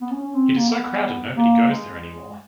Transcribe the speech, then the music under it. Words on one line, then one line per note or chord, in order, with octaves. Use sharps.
It's so crowded nobody goes there anymore.
B3
C#4
C#4
C4
A#3
B3
A#3
G#3